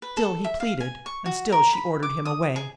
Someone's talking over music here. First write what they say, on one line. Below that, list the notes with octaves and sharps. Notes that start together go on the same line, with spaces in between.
Still he pleaded, and still she ordered him away.
B4
A4
E5
F5
G#5
C#6
F#4
A#4
B5
D6
D#6
G#4